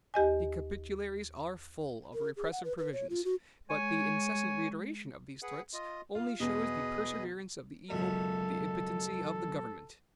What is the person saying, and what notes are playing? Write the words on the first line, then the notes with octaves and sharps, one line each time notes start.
The Capitularies are full of repressive provisions; but the incessant reiteration of these threats only shows the perseverance of the evil and the impotency of the government.
D#2 G4 D#5 G#5
A#4
G#4
F#5
B4
B4
C#5
F4
F#4
G#3 C#5 G#5
G#4 B4 F#5
F4 D#5
F4 F5
E2 B2 G#4 B4 D#5
C#2 F#2 B2 A4